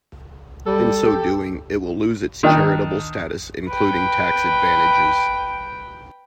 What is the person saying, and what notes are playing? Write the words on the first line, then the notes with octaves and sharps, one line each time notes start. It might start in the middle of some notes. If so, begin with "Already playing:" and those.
In so doing it will lose its charitable status including tax advantages.
G3 A4
G4
D#3 D4 G5
B4 G5